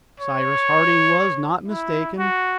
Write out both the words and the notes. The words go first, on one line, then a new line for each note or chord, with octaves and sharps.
Cyrus Harding was not mistaken.
C#5
E4
F#4